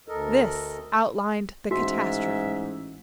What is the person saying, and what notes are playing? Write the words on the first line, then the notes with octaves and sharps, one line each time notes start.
This outlined the catastrophe.
D2 A4 A#4 D#5
A1 G#2 F#4 E5